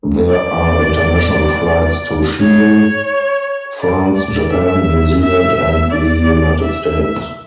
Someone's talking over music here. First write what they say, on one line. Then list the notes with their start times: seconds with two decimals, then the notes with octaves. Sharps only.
There are international flights to Chile, France, Japan, New Zealand and the United States.
0.30 D5
2.41 C#5
3.80 D5
4.15 D5
4.50 E5
5.20 E5
5.91 D5
6.61 E5